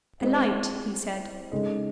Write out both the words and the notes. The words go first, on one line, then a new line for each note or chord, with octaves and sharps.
"A light," he said.
G#3 C4 E4 C5 D#5
C#3 G#3 D#4 A4 D#5